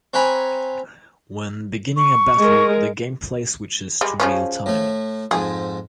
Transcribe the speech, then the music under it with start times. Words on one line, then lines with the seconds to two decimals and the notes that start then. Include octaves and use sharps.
When beginning a battle the gameplay switches to real time.
0.14 C4 C#5 F#5 G#5 A#5 B5
1.97 C#6
2.38 G#3 A#4
4.01 G3 G#3
4.20 C#3 F3 C#4
4.66 A2 A3
5.31 F2 G#2 G#4